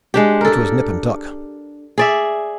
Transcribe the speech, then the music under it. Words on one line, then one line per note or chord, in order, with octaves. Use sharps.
It was nip and tuck.
G#3 D4 G4
A4 A#4
G#4 D5 E5